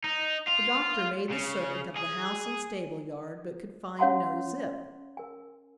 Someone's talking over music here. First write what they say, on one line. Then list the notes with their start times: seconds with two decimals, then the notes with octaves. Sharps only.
The doctor made the circuit of the house and stable yard but could find no Zip.
0.04 D#4
0.48 F4
1.31 C#3
1.97 G#4
3.99 C#4 C#5 F5 F#5 A#5 C6
5.17 A#4 G#5